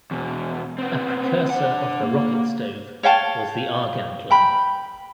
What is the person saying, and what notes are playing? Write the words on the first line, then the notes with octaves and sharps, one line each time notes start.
A precursor of the rocket stove was the Argand lamp.
E2 B2
B3 C4
D4 F#5
A#3
C#5 F5 G5 A5
G5 B5